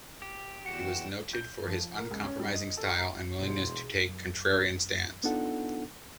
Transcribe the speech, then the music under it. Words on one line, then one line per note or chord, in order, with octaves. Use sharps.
He was noted for his uncompromising style and willingness to take contrarian stands.
G4
E2 F#4 G5 C#7 E7
G6
F3
A#4
C#2
C#4
G3
D#5
A4
A#5
E1 G#2 B2
F#2
B3 D4 D#4 F4 A4 F#5